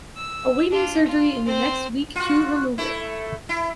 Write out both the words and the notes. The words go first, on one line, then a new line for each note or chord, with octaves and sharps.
Awaiting surgery in the next week to remove it.
E6
D4 F4
F4
C4 C5
F4 F#4
A3 E4
E4